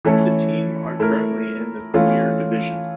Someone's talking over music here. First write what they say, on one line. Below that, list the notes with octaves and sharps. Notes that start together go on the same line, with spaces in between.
The team are currently in the Premier Division.
E3 A3 C#4 E4 A4
A3 E4 A#4
E3 A3 C#4 F4